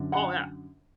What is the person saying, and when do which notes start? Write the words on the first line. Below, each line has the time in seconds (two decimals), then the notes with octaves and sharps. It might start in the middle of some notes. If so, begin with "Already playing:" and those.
Oh yeah.
Already playing: F#2 D3
0.12 F#5